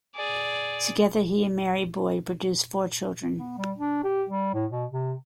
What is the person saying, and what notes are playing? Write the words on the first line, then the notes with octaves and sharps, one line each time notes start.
Together he and Mary Boyd produced four children.
G#4 D5
B3
G3
D4
G4
G3
A2
B2
C3